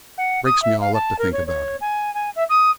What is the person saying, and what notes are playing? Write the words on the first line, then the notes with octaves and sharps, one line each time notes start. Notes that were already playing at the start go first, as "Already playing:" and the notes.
It breaks me all up to think about it.
F#5
D#6
E5
F5
A5
A#4
C#5
C#5
G#5
G#5
E5
D#6